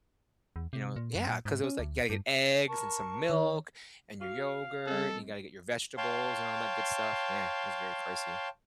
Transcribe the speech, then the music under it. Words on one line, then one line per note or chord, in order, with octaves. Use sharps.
you know Yeah. 'Cause it was like, you gotta get eggs and some milk and your yogurt, and you gotta get your vegetables and all that good stuff. Yeah. It was very pricey.
E2
C3
A#2
F#2
A#2
G#2
C#4
D2
G2
A#4 A5 C#6
D#3 C#5
F#4 F5
G3 C4 A4
C#5 F5 G5 A5 C6